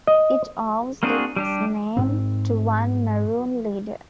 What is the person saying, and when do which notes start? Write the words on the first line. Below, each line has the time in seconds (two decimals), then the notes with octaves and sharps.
It owes its name to one maroon leader.
0.07 D#5
1.03 A#3 C4 D4 F#4 G#4
1.36 G3 D4 G4
1.97 G#2 C4